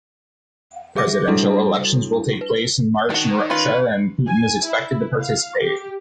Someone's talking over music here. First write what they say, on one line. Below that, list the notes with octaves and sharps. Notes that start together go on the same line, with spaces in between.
Presidential elections will take place in March in Russia and Putin is expected to participate.
G3 G#4 E5 D6 A#6
G3 D4 E4 F#4 A4
B4
D#3 D4 F#4
C#4 F4 B4
G#5
E4
F5
G4